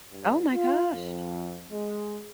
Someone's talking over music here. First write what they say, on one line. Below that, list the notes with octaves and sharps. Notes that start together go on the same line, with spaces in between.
Oh my gosh.
G2
F4
F2
G#3